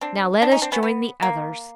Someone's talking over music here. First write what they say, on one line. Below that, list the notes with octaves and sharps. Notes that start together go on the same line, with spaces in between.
Now let us join the others.
C4 D4
C4 D4
C#4 D#4
C4 D4
B3 C#4
B3
A#3